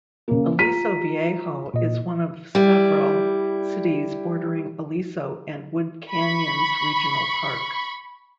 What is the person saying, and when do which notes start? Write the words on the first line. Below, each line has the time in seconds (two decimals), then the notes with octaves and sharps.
Aliso Viejo is one of several cities bordering Aliso and Wood Canyons Regional Park.
0.28 C#3 A#3
0.59 F4 A#5 B6 D#7
1.74 A#2 D#5
2.55 G3 E4
6.11 B5 C#6